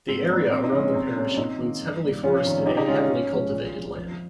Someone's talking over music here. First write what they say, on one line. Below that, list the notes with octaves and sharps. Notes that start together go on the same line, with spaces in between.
The area around the parish includes heavily forested and heavily cultivated land.
G#2 C4
G3 A#3
A#2 C4
D#4
F3 C#4
G#3
C3 C4
G3 A#3 C#4
C#4
C3 C4 D#4
D#3 A#3
G2
D#3 G3 A#3
F2 C#4 F4
C3 D#3 G3
A#2 D#4 G4
D#4 G4
G#3 C#4 F4
C#4
G#2
F3 G#3
A#2
G#3
F2